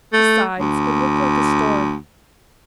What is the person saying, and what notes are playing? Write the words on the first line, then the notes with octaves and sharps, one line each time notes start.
Besides, it looked like a storm.
A3
D2